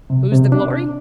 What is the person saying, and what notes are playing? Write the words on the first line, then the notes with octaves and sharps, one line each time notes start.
Whose the glory?
C3
C3
D4